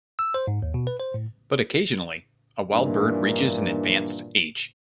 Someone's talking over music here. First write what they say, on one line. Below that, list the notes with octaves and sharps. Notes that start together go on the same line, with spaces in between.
But occasionally, a wild bird reaches an advanced age.
E6
C5
G#2
D#2
B2
B4
C5
A2
G2 A#2 D#3 E3 A#3 D4